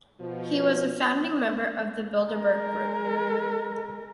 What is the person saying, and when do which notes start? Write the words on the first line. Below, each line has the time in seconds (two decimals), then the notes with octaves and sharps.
He was a founding member of the Bilderberg Group.
0.20 B2 F3
2.28 G#3 A#4